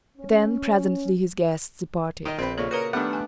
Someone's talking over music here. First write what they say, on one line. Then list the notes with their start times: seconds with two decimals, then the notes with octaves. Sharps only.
Then presently his guests departed.
0.18 C#4
2.25 D#3 D#5
2.39 A#1 C4 B4
2.58 A#2 C#3 A4 C#5 D5
2.71 F#4 A#4 B4 C#5 D#6 C#7
2.93 D#3 G3 A3 B3 D4 G4 F#5
3.13 G#5